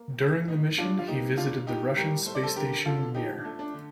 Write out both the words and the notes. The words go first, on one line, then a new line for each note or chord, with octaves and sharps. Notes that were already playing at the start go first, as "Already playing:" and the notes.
During the mission he visited the Russian space station Mir.
Already playing: A#3
A2
A2 D#4
G3 D4 F4
F4
A#3 D#4 G4
A2 D4 F4
A2 D#4 G4
G3 G4 A#4
A3 C5
D5
A4 C5
D3 G4 A#4
D3 F4 A4
F3 D#4 G4
D4
A3
D4
D3